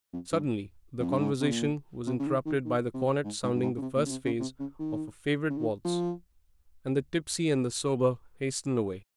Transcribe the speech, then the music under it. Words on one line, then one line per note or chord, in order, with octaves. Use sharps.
Suddenly the conversation was interrupted by the cornet sounding the first phrase of a favourite waltz, and the tipsy and the sober hastened away.
F2
G2
F2
G2
G#2
C3
A#2
C3
C#3
D#3
D#3
D#3
C3
G#2
G#2
G2
G#2
C#3
C3
A#2
C#3
C3
C#3
C3
C#3
D#3
C#3
D#3
F3